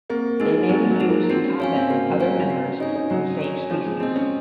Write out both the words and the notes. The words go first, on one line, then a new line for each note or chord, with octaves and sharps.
They may be used in combat with other members of the same species.
A#3 C4
G#3 D#4 G#4
F#3 C4
F#3
D#4 G#4
A#3
C4 F#4
C#4
C#4 C#5 F5 G#5
C4
A#3 F#4
F#3
C#5 F5 G#5
F#3
C4 F#4
C#4
D#4 C#5 G#5
D#4
F#3 F#4
C#5 G#5
F3 C#4
G#3
C4 G#4 D#5
C#4